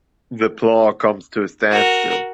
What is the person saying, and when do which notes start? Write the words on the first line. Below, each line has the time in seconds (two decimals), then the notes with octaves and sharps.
The plough comes to a standstill.
1.71 F#4 A#4